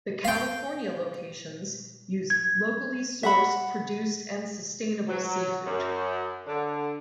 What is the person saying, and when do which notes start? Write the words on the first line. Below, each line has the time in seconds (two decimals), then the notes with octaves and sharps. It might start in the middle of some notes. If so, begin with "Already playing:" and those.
The California locations use locally sourced produced and sustainable seafood.
0.25 F5 G5
2.30 G#6
3.23 E5 F#5 B5
5.09 F#3
5.66 F#2
6.47 D3